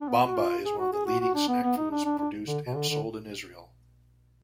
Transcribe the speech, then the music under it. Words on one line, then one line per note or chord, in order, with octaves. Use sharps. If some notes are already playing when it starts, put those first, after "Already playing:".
Bamba is one of the leading snack foods produced and sold in Israel.
D4
B3
F#4
F4
G#4
F#4
G#4
F#4
F#4
D4
B3
B3
D#4
D4
D4
D4
D3
B2
D3
D3